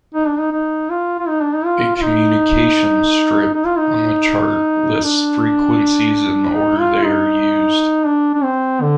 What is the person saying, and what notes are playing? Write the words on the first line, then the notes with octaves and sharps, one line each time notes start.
A communication strip on the chart lists frequencies in the order they are used.
D#4
D4
D#4
D#4
F4
F4
D#4
D4
D#4
F4
F4
D#4
D#4
F4
D#4
D4
D#4
F4
D#4
D4
D4
C4
D3